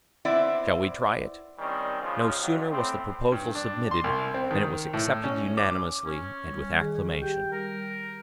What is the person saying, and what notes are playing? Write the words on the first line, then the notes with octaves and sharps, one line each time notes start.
"Shall we try it?" No sooner was the proposal submitted than it was accepted unanimously and with acclamation.
B3 C4 E4 D5 E5
D#3 G3 C4 C#4
C#2 C#3 F3
F2 F#3
A2 C4
G2
D4
C6
C2
C4
D#3
A2
C#4
D6
C#4
G3
D#3 G#4
G4 G5
G3 A#4